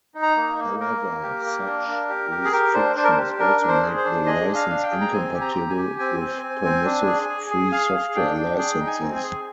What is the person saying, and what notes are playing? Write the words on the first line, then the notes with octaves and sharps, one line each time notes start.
However such restrictions also make the license incompatible with permissive free software licenses.
D#4
A#5
A#3
A#3
A#3 A#4
A#3
G4
A#3
D4
D4
G4
G4
G#4
G4 A#4
D4 C5
D4 C5
A#4
C5
G4
D4 A#4
D4
C5
G#4
C5
D4
G#4 D#5
D4
F5
D4
G5
G#4
A#5
C4 G#5
G4
A#5
G4
G#5
G4
C4 G#5
C4
C4
C4
D4
G#4
G#4
G#4
G#4 F5
G#4
D4 G5
D4
G#4 G5
D#4
G#5
C4
G#5
G#4